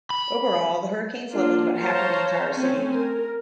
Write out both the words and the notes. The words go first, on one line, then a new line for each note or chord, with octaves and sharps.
Overall, the hurricane leveled about half of the entire city.
B5
A#3 D4 F4
C5 C#5 F5 A5 A#5
A3 C4 C#4 G#5
A#4